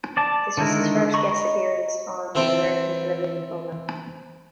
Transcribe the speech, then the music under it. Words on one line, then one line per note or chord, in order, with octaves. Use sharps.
This was his first guest appearance on an American television programme.
D5 A5
D3 D#3 G#3 E4 A#4
D#5 A#5 B5 C#6
E3 C4 A4 E5 G5